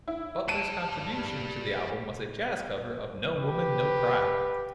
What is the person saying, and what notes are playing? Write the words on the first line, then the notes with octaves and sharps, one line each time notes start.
Butler's contribution to the album was a jazz cover of No Woman No Cry.
E4
G3 A5 D7 D#7
G4 B4